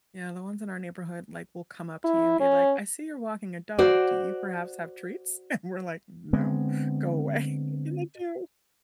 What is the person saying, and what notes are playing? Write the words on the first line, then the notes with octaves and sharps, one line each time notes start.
Yeah, the ones in our neighborhood, like, will come up to you and be like, "I see you're walking a dog. Do you perhaps have treats?" And we're like, "No, go away," and they do.
E4
C#4
F#4 C5 D5
D3 G#3 B3 C4